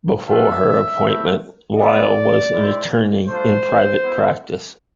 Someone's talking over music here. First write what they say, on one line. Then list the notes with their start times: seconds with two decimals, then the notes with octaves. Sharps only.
Before her appointment, Lyle was an attorney in private practice.
0.29 A3 D4 F4 E5
1.05 A3 C4 E4
1.78 G#3 B3 E4 D5
2.53 G#3 C4 E4
3.28 A3 D4 F4 C5
4.04 B3 E4